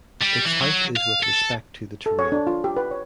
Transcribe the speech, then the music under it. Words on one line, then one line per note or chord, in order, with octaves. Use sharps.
Its height is with respect to the terrain.
G3
E3
F#3
F5
A4
A4
C#5
D4
F4
G4
B4
C#5